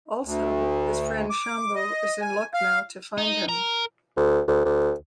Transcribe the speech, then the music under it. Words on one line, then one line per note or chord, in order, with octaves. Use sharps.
Also his friend Shambhu is in Lucknow to find him.
D2
D6
D#5
G#5
F5
D#4
A#4
D2
D2
D2